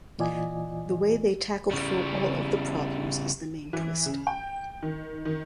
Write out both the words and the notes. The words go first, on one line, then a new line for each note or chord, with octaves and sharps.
The way they tackle through all of the problems is the main twist.
A#2 E3 F4 D5 D#5 G#5
C#3 G3
E3
C#3
G5
D#3
D#3